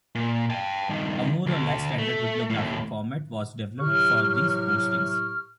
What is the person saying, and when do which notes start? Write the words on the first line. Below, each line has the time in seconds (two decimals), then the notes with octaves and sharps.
A more or less standard bibliographic format was developed for these postings.
0.15 A#2
0.50 G5 A5
0.89 G2 D#3
1.46 D2
1.99 A3
2.50 D#2 A2
3.80 A2 C3 F#3 G4 C#6 F6